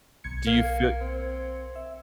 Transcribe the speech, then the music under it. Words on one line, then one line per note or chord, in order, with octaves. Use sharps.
Do you fee
B1 G#6 C#7
A#3
C4
E5